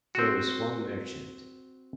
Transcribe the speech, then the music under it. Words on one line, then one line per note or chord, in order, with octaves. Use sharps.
There is one merchant.
C4 F#4